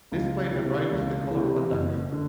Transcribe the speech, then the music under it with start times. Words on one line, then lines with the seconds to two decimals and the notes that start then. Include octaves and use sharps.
Displayed at right is the color fandango.
0.12 C#2
0.52 C3 E3
0.92 C#2
1.31 E3
1.36 C3
1.71 F#1
2.12 D3